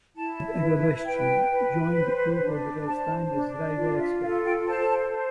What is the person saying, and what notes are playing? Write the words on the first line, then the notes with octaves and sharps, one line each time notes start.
Fred Agabashian joined the crew for the first time as driver expert.
E4 A5
B4
B4 G5
B4
C5
D4
C5 A5
D4
F4 D5
E5
A4 F5
G5
C5 A5
C5